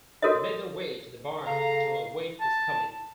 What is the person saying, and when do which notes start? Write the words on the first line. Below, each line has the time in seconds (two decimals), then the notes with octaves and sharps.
They made their way to the barn to await his coming.
0.22 F#4 A4 A#4 C#5 D#5
1.46 C#3 A4 F5 A#5
2.41 A5